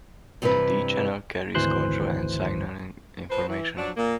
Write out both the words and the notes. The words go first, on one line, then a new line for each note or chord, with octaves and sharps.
The D-channel carries control and signaling information.
G2 C3 E3 C4 B4
G#1 D2 E3 C5 C6 F#6
F3 B4 C5
E3
F3 F#3 D4
A#2 A#3